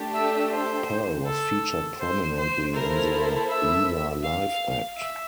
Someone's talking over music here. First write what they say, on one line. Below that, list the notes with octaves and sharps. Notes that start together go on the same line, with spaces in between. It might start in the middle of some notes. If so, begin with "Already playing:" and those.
Pearl was featured prominently in the Leila live act.
Already playing: A3 D4 G4
E5
C5
A4
C5
C5
A#3 E4 A4 A#4 C5
E5
F5
E5